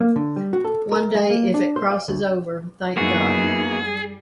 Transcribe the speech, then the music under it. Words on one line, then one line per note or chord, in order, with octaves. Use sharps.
One day, if it crosses over, thank God.
A#3
D3
G3
F#4
A4
A#4
G#3
A#3
D4
C5
F5
D2
F#2 A#3 B3 D#4 E4 F#4 G#4
G3